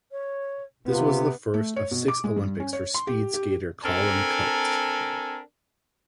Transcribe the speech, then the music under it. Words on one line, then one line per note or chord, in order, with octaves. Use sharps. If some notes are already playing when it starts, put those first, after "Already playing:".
This was the first of six Olympics for speed skater Colin Coates.
C#5
C3 B3 F4
A3
C#5
B2
D6
G#3
G2
C#4
C#5
C6
G4
G4
C4 D4 A4 A#4 G#5 A#5